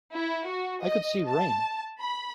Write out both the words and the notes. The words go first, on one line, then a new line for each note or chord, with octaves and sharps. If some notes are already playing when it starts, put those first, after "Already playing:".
I could see rain.
E4
F#4
D#5
A5
B5